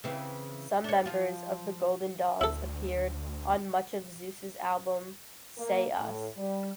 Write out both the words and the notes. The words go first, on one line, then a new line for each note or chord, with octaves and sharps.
Some members of The Golden Dogs appeared on much of Zeus' album "Say Us".
C#3 E3 C4
D4 C#5
F3 F4
D2 E4 A4
A#3
A2
G3